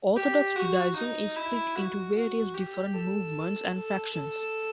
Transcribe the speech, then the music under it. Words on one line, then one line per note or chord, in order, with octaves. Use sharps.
Orthodox Judaism is split into various different movements and factions.
G4
F#4
D#4
E4
F#4
F#4
G4
A4
A4
A4